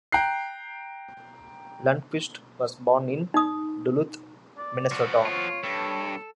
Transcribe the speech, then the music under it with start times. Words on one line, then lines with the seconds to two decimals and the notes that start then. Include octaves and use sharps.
Lundquist was born in Duluth, Minnesota.
0.12 G5 A#5 F#6 C7
3.34 D#4 D#6
4.58 D5
4.91 F3 F#4
5.25 F4 C#5
5.63 G2 A4